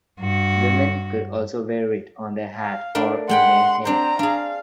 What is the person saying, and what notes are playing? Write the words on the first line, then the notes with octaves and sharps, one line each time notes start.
Women could also wear it on their hat or in their hair.
G2 F#4
F5
A3 D4 A#4
G#3 F#5 G5 B5 C6
C4 D4 C5 A#5
D4 G#4 F5